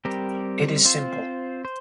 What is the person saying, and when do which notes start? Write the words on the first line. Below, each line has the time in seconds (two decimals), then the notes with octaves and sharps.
It is simple.
0.05 G3 C4 G4 A#4
0.85 C4 F4 C5
1.65 C5